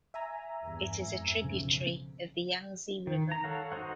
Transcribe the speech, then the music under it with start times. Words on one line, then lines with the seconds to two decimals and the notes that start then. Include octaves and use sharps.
It is a tributary of the Yangtze River.
0.14 E5 G#5 A#5
0.64 E2 G2
1.01 F2 G#2
1.44 B1 F2 C#3
3.07 D#3
3.32 A#5
3.44 A4 C#5 F5 F#5
3.72 D#4 F#4 C5 F#5